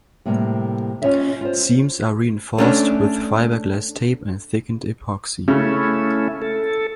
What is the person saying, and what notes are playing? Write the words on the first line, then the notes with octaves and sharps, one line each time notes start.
Seams are reinforced with fiberglass tape and thickened epoxy.
A2 C3 G3 A#3
C#4 D#4 F4 C#5 D#5 E5
F4 C5
A3 C#4 D4
C#3 A3 C#4 E4
A4